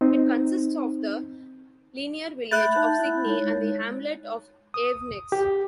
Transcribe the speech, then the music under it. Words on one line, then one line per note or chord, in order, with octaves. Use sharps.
It consists of the linear village of Signy and the hamlet of Avenex.
C4 D#4
A3 E5 B5 F#6 G6 A6
D#4 F#5 A5
E4 B5
G#3 D#4 C#5
D#6
G4